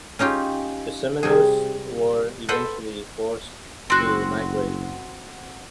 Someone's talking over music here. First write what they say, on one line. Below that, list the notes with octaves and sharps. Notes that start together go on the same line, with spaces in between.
The Seminoles were eventually forced to migrate.
C#4 D#4 F4 G4
C3 G3 G#4
A4 B4 C5 F#5 B5
F#1 C4 F#4